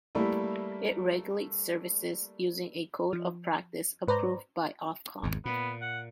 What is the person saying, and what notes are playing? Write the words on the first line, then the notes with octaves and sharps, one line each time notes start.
It regulates services using a Code of Practice, approved by Ofcom.
G3 A3 A#3 E4
F3
G#2 B4 C5 D5 A#5
G#1 E2
A#2 B3
F#5